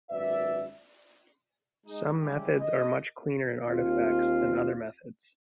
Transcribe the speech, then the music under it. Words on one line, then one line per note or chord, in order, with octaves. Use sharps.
Some methods are much cleaner in artifacts than other methods.
G#1 F#2 B4 D5 E5
G#3 D#4
C#3 G3 G#3 E4 G4
D#5
D#2 C4 F4